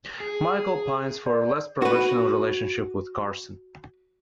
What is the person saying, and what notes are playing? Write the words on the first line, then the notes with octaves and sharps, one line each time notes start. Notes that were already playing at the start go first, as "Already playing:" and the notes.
Michael pines for a less-professional relationship with Carson.
G#4
D5
F#4 B4